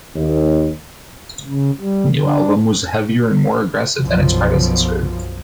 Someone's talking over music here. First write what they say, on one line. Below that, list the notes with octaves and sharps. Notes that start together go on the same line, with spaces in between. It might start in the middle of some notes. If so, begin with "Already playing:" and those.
The new album was heavier and more aggressive than its predecessor.
D#2
C#3
G3
D4
B1 F#2 B2 F3